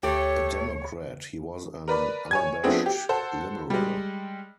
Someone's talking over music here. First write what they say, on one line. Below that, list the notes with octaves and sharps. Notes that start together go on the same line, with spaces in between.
A Democrat, he was an unabashed liberal.
D2 A3 G4 C#5
A#4 B4 D5 B5
C#5 G#5 G#6
F3 A3 B3 C4 D4 G#4
G4
A4 C5 F#5 A5
G3 G#3